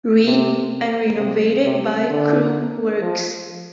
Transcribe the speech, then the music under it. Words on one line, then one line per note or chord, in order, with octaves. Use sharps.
Reed, and renovated by Crewe works.
C3
C3
C3
D3
F3